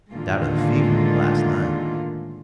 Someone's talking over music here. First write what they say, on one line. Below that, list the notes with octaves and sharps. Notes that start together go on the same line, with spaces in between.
Died of the fever, last night.
A2 D3 D#3 G#3 A#3 F4